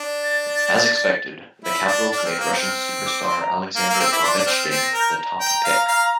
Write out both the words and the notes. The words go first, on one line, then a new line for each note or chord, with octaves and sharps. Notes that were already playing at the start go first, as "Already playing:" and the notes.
As expected, the Capitals made Russian superstar Alexander Ovechkin, the top pick.
Already playing: D4
A6
E4
A6
D4
A6
D4
F6
C4
A#3
C4
D6
C6
A#5
A#3 F6
A#3 E6
C4
E4 D6
D4 C6
D6
D4
C4 F6
A6
C4
A#6
A#4
G6
A#5
G5
F5
F5